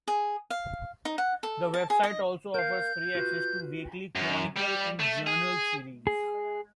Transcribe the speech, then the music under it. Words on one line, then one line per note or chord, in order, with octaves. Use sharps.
The website also offers free access to the weekly "Chronicle" and "Journal" series.
G#4
F5
D#4
F#5
A4
A5
G#4
D#5
A#4 F5 G6
F4 F#4 B4
F#2
G3
A3
G#4
G#4